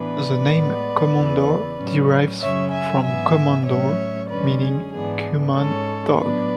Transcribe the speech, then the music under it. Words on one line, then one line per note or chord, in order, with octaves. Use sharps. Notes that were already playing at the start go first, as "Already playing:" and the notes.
The name Komondor derives from Koman-dor, meaning "Cuman dog".
Already playing: A2 E3 B3 D4 B4 D5
A2 G#3 B3
E2 C#3 E3
A2 F#3 C#4
F#2 C#3 F#3 C#4 C#5 E5
E5 G#5
G#2 E3 B3 E5 G#5
A2 F#3 A3 C#4 C#5 E5
F#2 D3 G#3 C#4 B4 D5
G#4
G#2 E3 B3 D4 G#4
G#2 G#3 C#4 A4 C#5
A2 F#3 B3 D4 B4 D5